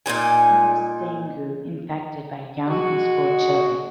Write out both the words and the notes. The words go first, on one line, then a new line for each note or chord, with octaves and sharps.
Most dengue infected by young and school children.
A#2 B3 D#4 G#5
B2 G#3 F#4